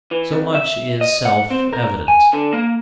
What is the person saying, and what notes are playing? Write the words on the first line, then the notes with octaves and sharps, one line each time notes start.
So much is self--evident.
E3
F2
E5
D#5
F#5
C4
A#4
G#5
D3
A#3